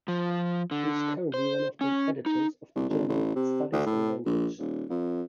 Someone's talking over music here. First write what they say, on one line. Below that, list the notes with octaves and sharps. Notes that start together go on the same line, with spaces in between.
He is currently one of the editors of the journal "Studies in Language".
F3
D3
C5
C#4
D#4
C2
G#1
A1
C3
D2
A2
A#1
D#1
F2